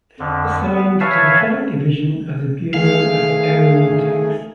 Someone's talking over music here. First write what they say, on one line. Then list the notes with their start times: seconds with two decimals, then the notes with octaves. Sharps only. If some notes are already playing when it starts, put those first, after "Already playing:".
Assigned to the Flight Division of the Bureau of Aeronautics.
0.19 F2 D3
0.60 B3
1.00 B4 C#5 E5 F5 G#5 A5
2.74 D#3 A3 G#4 F5